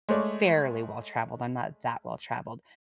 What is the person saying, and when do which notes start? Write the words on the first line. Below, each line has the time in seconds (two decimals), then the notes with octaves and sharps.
fairly well traveled I'm not that well traveled,
0.09 G#3 A3 C#5 D5